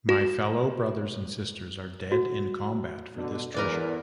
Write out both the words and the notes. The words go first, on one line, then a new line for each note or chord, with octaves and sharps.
My fellow brothers and sisters are dead in combat for this treasure.
F#4
F#4
B2 D3
E2 A#4 B4 D5